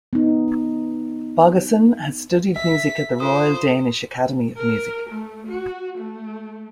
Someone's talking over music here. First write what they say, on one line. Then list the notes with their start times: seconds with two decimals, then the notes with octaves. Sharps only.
Bogason has studied music at the Royal Danish Academy of Music.
0.13 B3 D#4
2.56 E5 B6
3.20 F4 A4 C5 D#6
4.57 A#4
5.09 A3
5.47 F#4
5.98 A3